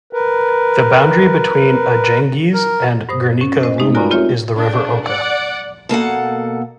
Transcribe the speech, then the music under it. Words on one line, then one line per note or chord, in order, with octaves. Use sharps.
The boundary between Ajangiz and Gernika-Lumo is the River Oka.
A#4 B4
A#4
G2 C5 D#6
C#4
C5 D#5
G#3 A3 D#4
F4 F#4 A#4 D5 G#5 A#5
C4 F4 G4 C#5 E5
C#3 D4
D5 F#5
B2 A#3 A4 F#5